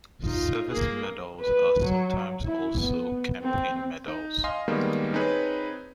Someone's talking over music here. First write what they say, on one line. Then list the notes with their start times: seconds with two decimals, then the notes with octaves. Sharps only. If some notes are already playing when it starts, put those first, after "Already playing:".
Service medals are sometimes also Campaign medals.
0.23 D#4 F4
0.69 A#3 G#4
1.40 B4
1.83 F#3
2.45 E4
2.80 B3
3.42 C4
4.08 D#4
4.44 D#5 F5 G#5 C6 D#6
4.68 D#3 G3 G#3 A#3 B3
5.13 C4 D#4 G#4 B4 C#5